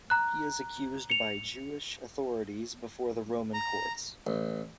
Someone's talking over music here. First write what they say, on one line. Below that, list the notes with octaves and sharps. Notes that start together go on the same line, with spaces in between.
He is accused by Jewish authorities before the Roman courts.
A#5 F#6
C#7 F7
A#5
A1